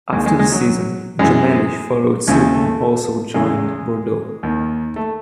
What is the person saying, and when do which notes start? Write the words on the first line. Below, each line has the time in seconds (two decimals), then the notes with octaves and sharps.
After the season, Jammeli followed suit and also joined Bordeaux.
0.12 D#2 D#3 G#3
0.26 G#3
0.39 G#3
0.52 F#3
1.19 F#2 E3 G#3
2.27 D#2 C#3 E3 G#3
2.54 A3
3.34 E2 C#3 E3 G#3
4.43 D#2 D#3
4.96 A3